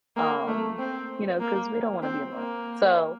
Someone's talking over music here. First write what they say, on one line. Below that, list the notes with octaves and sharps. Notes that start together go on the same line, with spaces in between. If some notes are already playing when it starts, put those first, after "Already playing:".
Um, you know, 'cause we don't want to be alone. So,
A#3
A3
C4
A#3
C4
A#3